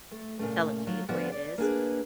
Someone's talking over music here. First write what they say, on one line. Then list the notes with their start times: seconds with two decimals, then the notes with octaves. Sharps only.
tell it to you the way it is.
0.11 A3
0.39 A#2 C#3 A3
0.87 F3 F#3 F4
1.08 D2 F3 B3 F#4 D5 F#5
1.32 D5
1.58 A#3 D4 G#4 B4